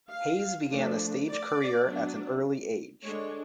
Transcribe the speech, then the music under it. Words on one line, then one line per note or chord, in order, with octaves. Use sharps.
Hayes began a stage career at an early age.
F5
F3 A3 D4
D5
F#3 B3 D4
D3 G#3 D4 C#5